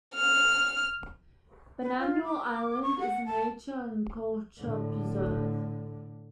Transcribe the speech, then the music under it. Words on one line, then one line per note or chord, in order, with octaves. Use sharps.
Bananal Island is a nature and culture preserve.
F6
B4
F4
D6
C#6
F#5
A5
A2 D3